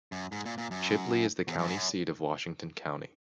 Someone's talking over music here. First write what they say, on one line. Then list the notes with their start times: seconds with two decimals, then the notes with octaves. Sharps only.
Chipley is the county seat of Washington County.
0.12 F#2
0.32 G#2
0.46 A#2
0.58 A#2
0.71 F#2
1.48 E2
1.58 F#2
1.68 G#2
1.77 F#2